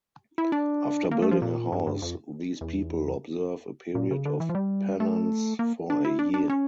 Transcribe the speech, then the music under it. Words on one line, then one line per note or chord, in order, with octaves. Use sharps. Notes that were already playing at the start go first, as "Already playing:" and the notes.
After building a house, these people observe a period of penance for a year.
E4
D4
A#3
A3
F3
A#2
G2
G2
F2
E2
A#2
C#3
D3
E3
F3
G3
A3
A#3
D4
E4
D4
D4
C#4